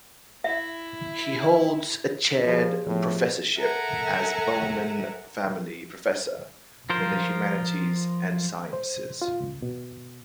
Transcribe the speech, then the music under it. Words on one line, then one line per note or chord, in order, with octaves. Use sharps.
He holds a chaired professorship as Bowman Family Professor in the Humanities and Sciences.
E4 E5
F3 F4 G4 G#4
A2 F3 B3
A4 A#4 E5 F#5 G#5 A#5
F3 F4 A#4 C5
C5
F4
C#2
B2